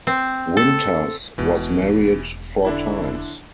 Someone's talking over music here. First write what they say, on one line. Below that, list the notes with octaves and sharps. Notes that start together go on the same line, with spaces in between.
Winters was married four times.
C4
A4
E1 B2 E3
D3 D4 E4